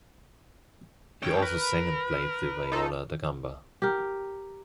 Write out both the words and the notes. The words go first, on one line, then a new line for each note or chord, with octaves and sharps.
He also sang and played the viola da gamba.
C#2 C#3 C#5 G5
A#4 B4
D#4 F4 A4
G4 A#4